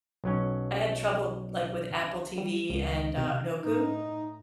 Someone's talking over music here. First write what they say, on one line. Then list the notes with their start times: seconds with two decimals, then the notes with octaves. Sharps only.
I had trouble, like, with Apple TV and, uh, Roku
0.24 B1 F#3 C#4
2.38 G3
2.70 C#2
3.17 C3
3.63 A2 D#4